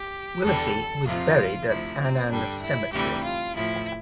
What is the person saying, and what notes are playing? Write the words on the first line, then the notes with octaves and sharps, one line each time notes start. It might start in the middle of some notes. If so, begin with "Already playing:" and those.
Willacy was buried at Annan Cemetery.
Already playing: G4
E2 D3 G3 A4
F2 C3 F3 F4
D2 C3 F3 E4
C4
G2 D3 G3 D4
E4
D2 C3 E3 G3 G4
F4
A2 F3 E4